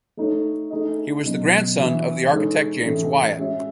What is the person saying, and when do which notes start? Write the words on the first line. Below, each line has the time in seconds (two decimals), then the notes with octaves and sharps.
He was the grandson of the architect James Wyatt.
0.17 A3 D#4 A4 C#5
0.70 A3 D#4 G#4 D#5
1.24 B2 F#3 C#4
1.78 E3 B3 F#4 B4 E5
2.31 G#3 D#4 A4 C#5
2.85 A2 E3 A3 C#4 G#4
3.38 G#3 C#4 F#4 C#5 E5